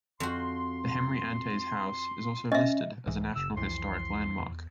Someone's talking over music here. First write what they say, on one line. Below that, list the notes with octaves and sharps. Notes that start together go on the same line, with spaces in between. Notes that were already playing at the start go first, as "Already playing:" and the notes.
The Henry Antes House is also listed as a National Historic Landmark.
F2 F#4 C6
C#4 D#5 E5
C2 G#2 E3 G#3
F#1 C#3 E6
C2 F2 E3 C6
E2